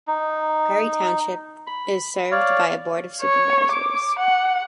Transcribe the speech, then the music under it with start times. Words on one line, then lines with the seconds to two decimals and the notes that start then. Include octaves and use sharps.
Perry Township is served by a Board of Supervisors.
0.08 D#4
1.67 B5
2.31 C#5 D5 F5
3.22 C#5
3.72 D6
4.19 F#5